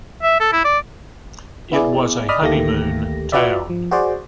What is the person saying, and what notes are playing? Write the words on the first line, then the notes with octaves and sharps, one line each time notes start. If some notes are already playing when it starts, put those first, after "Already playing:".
It was a honeymoon town.
E5
A4
E4
D5
B3 E4 G#4 D5
D5 D#5 B5 D#6 F6
D2 D#3 A3 A#3 G4 A#6
F4 F#4 B4 D5 E5
F3
F#4 G#4 C5 D5